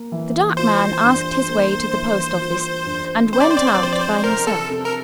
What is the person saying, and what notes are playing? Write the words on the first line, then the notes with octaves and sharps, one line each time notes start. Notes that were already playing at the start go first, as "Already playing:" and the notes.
The dark man asked his way to the post-office and went out by himself.
Already playing: A#3
E3
F4 C5
G2
A#3
E3
F4
G2
C4 C5
D5
C5
D5
C5
D5
F3 C5
D5
C5
C3 A#4
A4
C3
A#4